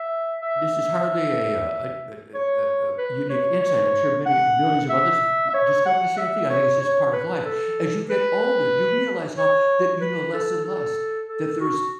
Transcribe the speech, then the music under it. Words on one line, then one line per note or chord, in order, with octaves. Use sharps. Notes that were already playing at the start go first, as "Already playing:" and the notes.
this is hardly a, uh, a a a a a unique insight. I'm sure many millions of others have discovered the same thing. I think it's just part of life. As you get older, you realize how that you know less and less, that there's
Already playing: E5
E5
C#5
B4
C#5
C#5
F#5
E5
E5
C#5
F#5
E5
C#5
C#5
B4
A4
B4
C#5
B4
A4
A4
A4
F#4